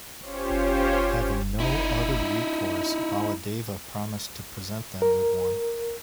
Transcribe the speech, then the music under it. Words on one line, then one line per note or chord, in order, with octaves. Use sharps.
Having no other recourse, Baladeva promised to present them with one.
C#4 F4 G4 C5 C#5
D#4 E4
A#4